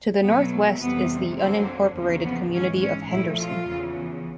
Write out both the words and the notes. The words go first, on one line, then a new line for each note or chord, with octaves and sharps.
To the northwest is the unincorporated community of Henderson.
B2 F#3 A3 B3
F2 C3 E3 G3 B3
F#2 D3 F#3 A#3 C4
E2 C#3 F3 A#3
B3
G#2 E3 G#3 C#4
C#4
A#2 F3 A3 E4
F4
E2 C#3 E3